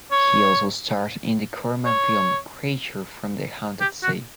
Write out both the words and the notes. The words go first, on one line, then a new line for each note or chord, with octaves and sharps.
He also starred in the Corman film "Creature From the Haunted Sea".
C#5
C#5
G4
F#4